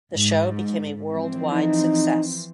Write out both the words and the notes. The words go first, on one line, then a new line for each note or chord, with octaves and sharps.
The show became a worldwide success.
G#2
E3 F3 C4
D#4